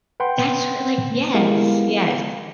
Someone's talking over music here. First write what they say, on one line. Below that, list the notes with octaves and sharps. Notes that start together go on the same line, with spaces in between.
That's what like, yes. Yes.
B4 F#5 G5 B5 C6
G#3 B3 E4 G4 A#4 F5